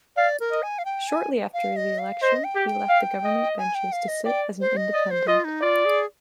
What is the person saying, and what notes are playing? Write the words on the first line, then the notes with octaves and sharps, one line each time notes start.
Shortly after the election, he left the government benches to sit as an independent.
D5 F5
A#4
D#5
G#5
F5
G5
G#5
F5
D#5
F5
C5 D#5
G5
G4
G5
F5
D#5
G#5
G5
F5
D#5
D5 G5
C5
D#5
D5 D#5
C5
F4 D#5
D#4
F4 D5
G#4